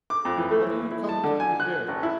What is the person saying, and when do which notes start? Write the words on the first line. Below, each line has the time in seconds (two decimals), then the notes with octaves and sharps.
"How do you come to be here?"
0.10 D6
0.25 F2
0.38 E3
0.51 A3
0.65 E3
0.91 E4
1.09 A5
1.24 D3
1.40 G#5
1.60 F#6
1.88 A1
2.03 E4